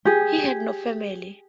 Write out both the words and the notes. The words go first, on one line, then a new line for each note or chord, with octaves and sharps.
He had no family.
G4 G#4